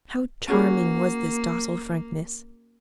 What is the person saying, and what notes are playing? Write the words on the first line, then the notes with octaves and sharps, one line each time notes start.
How charming was this docile frankness!
A#3 C#4 F#4 G#4